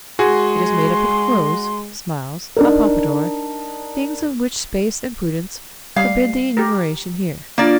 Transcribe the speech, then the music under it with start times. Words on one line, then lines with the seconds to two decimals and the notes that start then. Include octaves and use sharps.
It is made up of clothes, smiles, a pompadour, things of which space and prudence forbid the enumeration here.
0.19 G#3 F#4 G#4 C6
2.57 D4 D#4 A#4
5.96 G3 F5
6.57 G4 A#4
7.58 A#3 D4 F4 D5